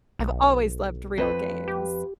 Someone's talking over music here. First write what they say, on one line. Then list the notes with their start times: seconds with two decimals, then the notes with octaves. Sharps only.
I've always loved real games.
0.19 B1
1.18 F2 B4
1.68 G4